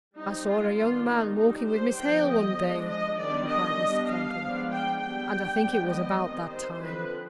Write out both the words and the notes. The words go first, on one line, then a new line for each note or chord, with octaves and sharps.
'I saw a young man walking with Miss Hale one day,' replied Mr. Thornton, 'and I think it was about that time.'
G3 C4 D#4
F4
D#3 B3 D4 F4
D#4
G3 D4 D#4
C5
D3 F3 B3 G5
D#5
F3 G#3 D4
D#5
D#3 G3 B3 D4 D5
D#5
G3 B3 D4
F5
F3 G#3 B3 D4
G5
G3 B3 D4 G5
F3 G#3 B3 D4
D#5
D#3 G3 C4
C5
D3 F3 C4 B4